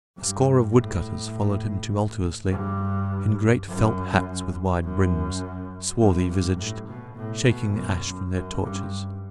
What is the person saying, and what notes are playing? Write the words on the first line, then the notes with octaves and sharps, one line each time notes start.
A score of woodcutters followed him tumultuously, in great felt hats with wide brims--swarthy visaged--shaking the ash from their torches.
G2
A2
G2
F#2
F#2
F#2
G2
A2
B2
A2
B2
F#2
F#2
G2